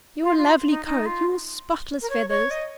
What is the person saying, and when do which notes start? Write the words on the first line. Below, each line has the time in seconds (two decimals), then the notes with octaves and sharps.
Your lovely coat, your spotless feathers!
0.23 F4
0.38 F4
0.69 D#4
0.85 D#4
1.06 F4
2.02 A#4
2.10 C#5
2.29 C#5
2.50 D#5